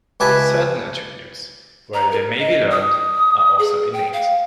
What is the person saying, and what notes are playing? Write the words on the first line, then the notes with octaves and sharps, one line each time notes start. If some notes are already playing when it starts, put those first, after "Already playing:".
Certain attributes, while they may be learned, are also innate.
C#2 G4 B4 E5 G#5 A5
A#5
A#4
D#5
D#6
G#4
G5
F5